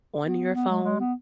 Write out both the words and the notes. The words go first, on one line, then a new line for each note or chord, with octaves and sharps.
on your phone,
B3
B3
G#3
G#3
B3